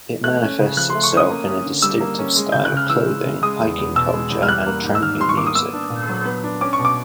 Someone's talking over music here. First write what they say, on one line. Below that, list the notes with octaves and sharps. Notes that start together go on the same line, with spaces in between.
It manifests itself in a distinctive style of clothing, hiking culture and tramping music.
A3 F#6
C#4
C#3
F3 F#6
A3 C6
C#6
C#4 D#6
A#3
C#4
D3
G3 E6
A#3
C#4
G#3
C#3 G6
F#6
C#3
F6
E3 E6
G#3
C#3
G#3 D#6
E2
E2
B2 E6
G#3
E2
F6
G3 F#6
A#3
G#2
E6
D#3 F6
G3 C6
C#6
A#3 D6
D#6
B3 E6
D4
A#2
F#3
B3
D4
C#4 D6
C#6
B2
D6